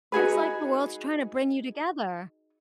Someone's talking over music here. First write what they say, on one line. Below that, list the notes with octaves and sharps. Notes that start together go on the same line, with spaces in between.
it's like the world's tryna bring you together.
D#4 F#4 G#4 B4